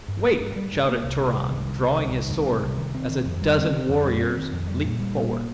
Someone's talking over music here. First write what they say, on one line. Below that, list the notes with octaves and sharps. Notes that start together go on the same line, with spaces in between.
"Wait!" shouted Turan, drawing his sword, as a dozen warriors leaped forward.
G2
A#3
G2
G3
G2
A#3
C2
C3
C2
D#3
C2
C3
C2
D#3
C2
C3
C2
D#3
C4
D#3
F2
G3
C4
D#3
F2
G3
C4
D#3
F2
G3
A#2
G3
A#2
A#3